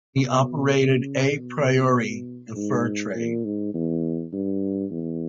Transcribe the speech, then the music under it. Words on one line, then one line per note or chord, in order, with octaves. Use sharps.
He operated "a priori" the fur trade.
B2
C#3
B2
G#2
A#2
G#2
E2
G2
E2